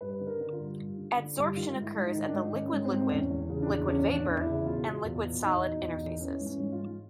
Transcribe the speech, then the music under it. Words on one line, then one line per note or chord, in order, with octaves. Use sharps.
Adsorption occurs at the liquid-liquid, liquid-vapor, and liquid-solid interfaces.
G2 B4
D3
A#4
D3
F4
G2
G2
D3
D3
G2
D#3 F4
G#2
E4
G#2
D#4
D#3
D4
G#2 D#4
D#3
C#4
G#2
C4
G#2
E2 C#4
E2
C#3
D4
E2
E2 C#4
E2
D4
E2
E4
C#3
B2 F4
B2
E2
B2
E2 D#4
B2
E2
E2
E3 C#4
G#2
C#4
G#2
F4
G#2